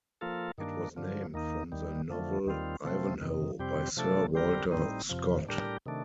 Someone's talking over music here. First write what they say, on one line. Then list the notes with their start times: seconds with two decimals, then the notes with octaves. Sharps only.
It was named from the novel "Ivanhoe" by Sir Walter Scott.
0.21 F3 A#3 F4 A4
0.58 G2 D#3 A#3 D4
0.97 G2 D3 F3
1.34 D#2 D#3 A#3 D#4
1.72 D#2 D#3 G3
2.09 F2 D3 F3 A3
2.46 D#2 D#3 G3 C4 F4
2.84 C3 F3 A3 C4
3.21 F2 C3 D#3
3.59 F2 C3 G3 C4 G4
3.97 C3 F3 A3 D4 A4
4.34 D3 G3 C4 G4 A#4
4.71 A2 G3 C4 D#4
5.09 F2 C3 F3
5.47 A2 G3 D4 G4 A#4
5.86 C3 D#3 A3 D4